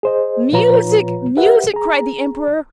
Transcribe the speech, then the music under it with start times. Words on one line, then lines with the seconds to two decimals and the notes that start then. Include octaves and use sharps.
"Music! music!" cried the Emperor.
0.03 G#4 C5 D#5
0.52 A#2 F3 F4 B4 C#5 A#5
1.37 G4 A#4 B4 E5 F#5
1.74 G#4 A#5